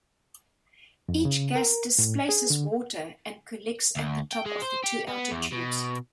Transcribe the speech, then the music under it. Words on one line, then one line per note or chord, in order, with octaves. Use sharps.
Each gas displaces water and collects at the top of the two outer tubes.
F2
C#3
A#4
A2
G#4
D3
D2
G5
G#3
C5
G4
B3
E2
B2